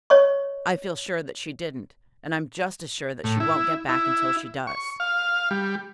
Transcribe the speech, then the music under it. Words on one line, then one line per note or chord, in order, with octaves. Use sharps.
"I feel sure that she didn't, and I am just as sure that she won't get back until she does."
C#5 D#5 C#6
A2
E4
E4
C#6
F5
G3